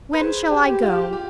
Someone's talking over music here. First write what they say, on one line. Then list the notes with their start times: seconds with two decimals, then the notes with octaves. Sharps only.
When shall I go?
0.13 B4
0.19 G#4 C5
0.51 G4
0.66 G4
0.82 F4
1.13 G4